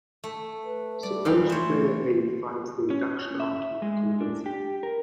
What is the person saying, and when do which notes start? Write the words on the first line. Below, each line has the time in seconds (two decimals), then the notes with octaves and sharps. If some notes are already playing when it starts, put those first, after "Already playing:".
Suppose Player A finds the induction argument convincing.
0.24 A3
0.64 B4
1.03 G3 D5
1.25 E3 F5 G5
1.50 A3 C5 C#5
2.90 C#4
3.40 E5
3.82 G#3
4.21 D4
4.46 G4
4.83 A#4